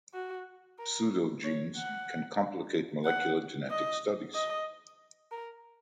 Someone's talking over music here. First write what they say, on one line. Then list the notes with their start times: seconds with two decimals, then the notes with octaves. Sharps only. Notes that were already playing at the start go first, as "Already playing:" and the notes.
Pseudogenes can complicate molecular genetic studies.
0.14 F#4
0.79 A#4
1.44 C#5
1.76 F#5
3.05 F#5
3.70 D#5
4.35 D#5
5.32 A#4